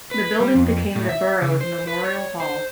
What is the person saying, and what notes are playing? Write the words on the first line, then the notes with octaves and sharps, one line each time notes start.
The building became the borough's Memorial Hall.
B4
G3
F2
A2
E5
C#3
C5
B4
C#5
C5